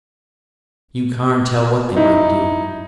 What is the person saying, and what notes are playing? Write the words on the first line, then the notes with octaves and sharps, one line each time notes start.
"You carn tell what they might do."
D#4 E4